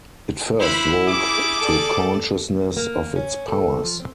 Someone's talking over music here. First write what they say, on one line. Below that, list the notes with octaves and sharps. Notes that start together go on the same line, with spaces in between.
It first woke to consciousness of its powers.
E4 B4 C5 B5
G3 G#4 D6
A4 D5
A#3
C#4
A4
F3
C4